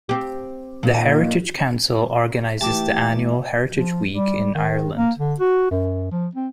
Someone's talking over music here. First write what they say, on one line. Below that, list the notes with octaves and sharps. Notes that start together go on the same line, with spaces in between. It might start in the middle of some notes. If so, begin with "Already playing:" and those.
The Heritage Council organizes the annual Heritage Week in Ireland.
C4 G4
A#2 D#3
E3 A3 G4 A5 D6 E7
F3
G3
D#3
A#3
D3
F#4
F#2
F3
C4